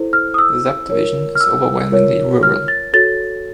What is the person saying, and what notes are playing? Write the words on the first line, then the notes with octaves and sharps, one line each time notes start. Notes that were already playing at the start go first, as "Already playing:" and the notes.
The subdivision is overwhelmingly rural.
Already playing: E4 A4 C5
F6
D#6
E6
F4 A#4 C#5
F6
E6
F4 A#4 C#5
F6
A6
F#4 A4 C#5 A6